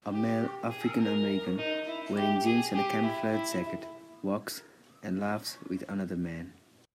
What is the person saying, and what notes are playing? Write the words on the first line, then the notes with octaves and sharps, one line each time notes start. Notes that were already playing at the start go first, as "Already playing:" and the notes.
A male AfricanAmerican wearing jeans and a camouflage jacket, walks and laughs with another man.
G4
G#4
A#4
D#4
E4
G4
G#4
G4
E4
E4